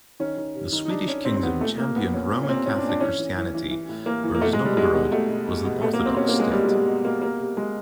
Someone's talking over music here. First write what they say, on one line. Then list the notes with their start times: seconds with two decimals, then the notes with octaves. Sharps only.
The Swedish kingdom championed Roman Catholic Christianity, whereas Novgorod was an Orthodox state.
0.20 D#3 C#4
0.37 D#3
0.55 C3
0.72 D#3
0.85 D#4
0.90 C3 D4
1.08 D#3 C#4
1.25 D#3 C4
1.37 C4
1.43 C3 B3
1.61 A#2 A3
1.78 A#2 A#3
1.96 A#2 B3
2.13 A#2 C#4
2.31 A#2
2.43 C#4
2.49 A#2 C4
2.65 A#2 C#4
2.78 D4
2.84 A#2
2.89 D4
3.00 E3 C#4
3.18 E3
3.37 E3
3.54 E3
3.71 E3
3.89 A2
4.06 E3 A#3
4.23 E3
4.35 A#3
4.41 B2 A3
4.53 G#3
4.60 B2
4.65 G3
4.77 B2 G#3
4.94 B2
5.12 B2 A3
5.29 B2
5.47 B2
5.65 B2
5.81 B2 A3
5.93 A#3
5.99 B2
6.06 C4
6.16 B2 C#4
6.29 A#3
6.34 B2
6.40 G#3
6.51 B2 G3
6.64 G#3
6.69 B2
6.75 G#3
6.88 B2
7.05 B2 A#3
7.22 C3 A#3
7.40 C3
7.57 C3 G#3